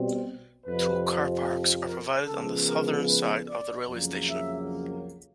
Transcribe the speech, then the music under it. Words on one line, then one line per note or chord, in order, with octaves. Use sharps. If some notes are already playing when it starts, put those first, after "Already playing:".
Two car parks are provided on the southern side of the railway station.
Already playing: B2 G3 C4
F2 C3 F3 B4
A#4
C#3 F3 G#3 B3 A4
A#4
B4
D5
F2 C#3 F#3 A#3
E5